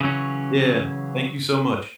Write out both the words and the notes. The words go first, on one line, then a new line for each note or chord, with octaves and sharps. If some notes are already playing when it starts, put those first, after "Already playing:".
Yeah. Thank you so much.
C#3 E3 F#3 C#4